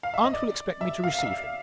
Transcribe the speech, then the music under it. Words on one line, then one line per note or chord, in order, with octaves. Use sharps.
Aunt will expect me to receive him.
F5
E5
D#5
D5
E5
F5
F5
E5